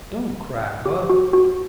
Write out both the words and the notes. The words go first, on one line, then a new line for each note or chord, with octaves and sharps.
Don't cry, bub.
G4
F#4
F#4